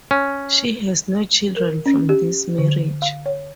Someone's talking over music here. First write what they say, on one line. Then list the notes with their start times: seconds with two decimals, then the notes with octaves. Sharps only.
She has no children from this marriage.
0.11 C#4
1.56 A#4
1.86 C#4
2.09 G4
2.58 D3
3.02 F5
3.26 C#5